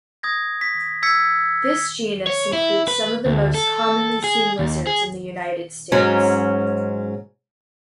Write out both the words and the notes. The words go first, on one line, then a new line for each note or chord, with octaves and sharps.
This genus includes some of the most commonly seen lizards in the United States.
D#6 G#6 A#6
B6
E6 G#6 B6 C#7
C#5
E4
B4
D2
A4
G#4
D#2
G#4
G#2 F#3 C#4